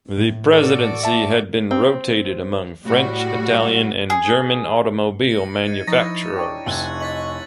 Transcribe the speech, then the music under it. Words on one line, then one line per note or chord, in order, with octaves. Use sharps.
The presidency had been rotated among French, Italian and German automobile manufacturers.
A2
F#4 A4 D5
E5 A5
C4
A2 G3 F#4
G#4
A#6 C#7
D#4 G#6 A6 D#7
F3 D#4 E4 C#6 A6 A#6
D4 C#5 G5
F1 E6 F#6 G#6
C#5 D#5 A6 B6 F#7